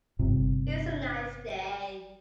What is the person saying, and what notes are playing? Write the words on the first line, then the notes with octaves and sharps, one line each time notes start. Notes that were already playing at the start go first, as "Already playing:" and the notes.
It’s a nice day.
G1 C3